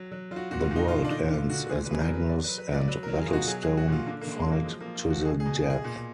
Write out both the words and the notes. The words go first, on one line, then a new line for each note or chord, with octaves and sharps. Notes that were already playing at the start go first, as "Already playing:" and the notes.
The world ends as Magnus and Battlestone fight to the death.
Already playing: F#3
F#3
F#3 F4
F#4
A#2 F#4
F4
A#2 D#4
F4
A#2
D4
D3 D#4
D3 F4
D3 F#4
A#2 G#4
B4
F#3 G#4
A#4
F#3 B4
F#3 D5
B4
F#3
B4
F#3
D5
F#3 B4
A#4
F#3
G#4
B2 F4
F#4
F#3 G#4
G#4
F#3
F#4
A#2 F4
D3 A#3
A#3
D3
G#3
F#3
A#3
F3 G#3
A#3
F3
F4
F3 F#4
B2 G#4
G#4
B2
G#4
B2 G#4
A#2